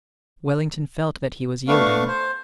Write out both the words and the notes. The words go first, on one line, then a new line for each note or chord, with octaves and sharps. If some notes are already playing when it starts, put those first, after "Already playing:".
Wellington felt that he was yielding.
A3 B3 D4 F5 C#6
C5